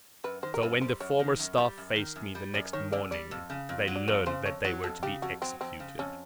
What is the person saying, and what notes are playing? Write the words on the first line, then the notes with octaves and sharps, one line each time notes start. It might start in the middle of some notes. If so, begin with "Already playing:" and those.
So, when the former staff faced me the next morning, they learned that they were to be executed.
F#2 B4
D#3 C5
A#4
F#2 B4
G3 C5
F#2 C#5
D#3
F#2
G3
F#2
D#3
F#2
G3
F#2 D5
D#3 C#5
F#2 D5
G3 D5
F2
C#3
F2
F#3
D5
F2 C#5
C#3 C5
F2 C#5
F#3 C#5
F2 A4
C#3 G4
F2 F#4
F#3 C4
F2 C4
C#3
F2 C#4